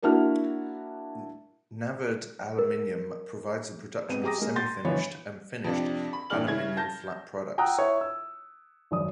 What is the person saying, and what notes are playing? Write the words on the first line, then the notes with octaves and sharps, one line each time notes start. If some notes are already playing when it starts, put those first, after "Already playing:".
Navard Aluminum provides the production of semi-finished and finished aluminium flat products.
A#3 D4 E4 F#4 F6
A#4
G#2 B3 C4 D#7
G4 G#4 A#5 D6 D#6 A#6
G#3 A#3
C6 G6 A6
G1 B2 E3 F3 C#5 B5
F2 C3 D4
B5
G2 E3 G4 D5 F6 F#7
C#3 E4 G#6
A5 G6 A#6
F#5 G5 A#5 D#6 E6 F#6
E4 C#5 E5
E6
G#1 F#2 D5 D#6